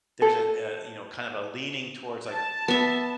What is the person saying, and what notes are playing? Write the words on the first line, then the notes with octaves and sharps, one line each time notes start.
there's a a, you know, kind of a leaning towards, like
A4
A5
B3 E5